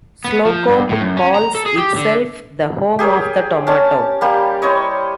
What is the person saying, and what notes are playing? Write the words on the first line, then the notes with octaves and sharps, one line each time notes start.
Slocomb calls itself the home of the tomato.
B3
F3
G2
A2
F#2
C#4
A#5
A4
G#4
G4
D3
G4 G#4 A#4 C#5
C#4 A5
G3 A#3 G4
E4 C5 C#5 D#5